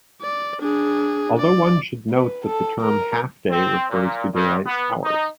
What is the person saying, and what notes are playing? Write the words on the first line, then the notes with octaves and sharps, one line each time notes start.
Although, one should note that the term "half day" refers to daylight hours.
D5
D4 G#4
D5
B4
A4
A#4
C4
A#2
G2
B3
D#4